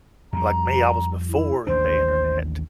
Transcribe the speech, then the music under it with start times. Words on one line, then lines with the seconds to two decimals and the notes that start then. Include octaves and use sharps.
like me, I was before the internet,
0.33 F2 G3 A#5
1.29 E4
1.67 A1 D#2 D4 C5